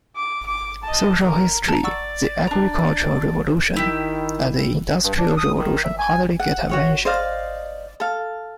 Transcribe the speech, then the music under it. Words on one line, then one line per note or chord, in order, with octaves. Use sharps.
Social history, the agricultural revolution, and the industrial revolution hardly get a mention.
D6
D6
D#5 A5
A#4
A5 A#5
D5 F#5 C#6 E6
D4 D5 A#5
D#3 E4 G4
G2
D4
D#6
D#3
E5
G#5
F#5
F#4 C#5 F#5
C5 D5 D#5 F5
A4 F5